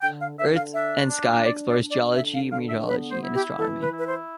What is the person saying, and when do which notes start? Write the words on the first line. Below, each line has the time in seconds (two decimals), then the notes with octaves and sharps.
Earth and Sky explores geology, meteorology and astronomy.
0.02 D3 G5
0.21 F5
0.37 D3 E5
0.56 F5
0.74 D4 E5
1.09 D4
1.44 D4 D5
1.68 D5
1.80 D4
1.92 D5
2.16 D3 E5
2.33 F5
2.51 D3 F5
2.69 E5
2.88 B3 B4
3.11 C5
3.23 E4
3.34 G4
3.59 E3 A4
3.82 B4
3.93 E4
3.99 B4
4.06 C5